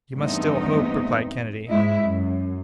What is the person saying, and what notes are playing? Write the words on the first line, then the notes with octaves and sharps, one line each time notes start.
"You must still hope," replied Kennedy.
E2 G2 A3 B3 C4 D#4
G#2 G#3 E4
F#2